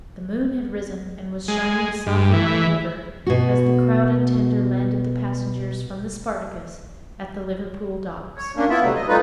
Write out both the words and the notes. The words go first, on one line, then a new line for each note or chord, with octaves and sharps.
The moon had risen and was shining softly on the river as the crowded tender landed the passengers from the "Spartacus" at the Liverpool docks.
G#3
G2
E3
B2 F#4
C#5
A#3 C#4 D4
B3 E4 F4 E5
C3 F#3 G3 A3
D#5
G3 A3 D#4 F4 B4